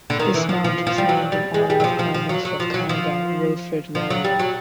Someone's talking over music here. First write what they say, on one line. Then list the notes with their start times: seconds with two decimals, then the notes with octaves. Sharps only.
This mount was named in honor of Prime Minister of Canada Wilfrid Laurier.
0.10 D3
0.20 D#3
0.34 E3
0.49 F3
0.64 F3
0.87 F3
0.98 G3
1.09 F#3
1.32 G3
1.54 G#3
1.70 G3
1.80 F#3
1.84 F3
1.99 F3
2.14 F3
2.29 F#3
2.45 F#3
2.60 F3
2.74 F#3
2.89 F3
3.95 F3
4.10 F#3
4.24 G3
4.39 F#3